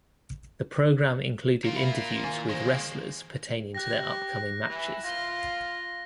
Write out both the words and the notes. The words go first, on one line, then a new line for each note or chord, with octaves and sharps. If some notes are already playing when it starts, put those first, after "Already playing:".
The program included interviews with wrestlers pertaining to their upcoming matches.
A#3 F4
E5 B5
D#3 E4 G#5
D3 E3 G#3 A#3
G4 F#6 A#6
E3
F4 A#6 G7